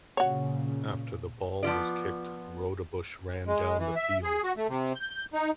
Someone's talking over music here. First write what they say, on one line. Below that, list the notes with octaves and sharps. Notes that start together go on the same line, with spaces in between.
After the ball was kicked, Roudebush ran down the field.
A#2 C#3 F#4 C#5
F3 B3 F4 D5
G#3
E3
E5
G#4
F#4
A3
C3
G6
D#4